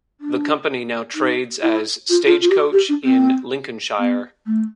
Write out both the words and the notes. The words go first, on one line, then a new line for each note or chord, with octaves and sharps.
The company now trades as Stagecoach in Lincolnshire.
D4
D#4
E4
F4
F4
F4
G4
F#4
G4
D4
C4
B3
A3